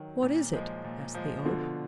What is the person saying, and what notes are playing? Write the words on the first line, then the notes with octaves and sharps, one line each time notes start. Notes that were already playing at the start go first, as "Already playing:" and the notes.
"What is it?" asked the Oak.
Already playing: D#3 F#3
A#2
F3 G#3
A#2
F3 G#3
B2 D3 F3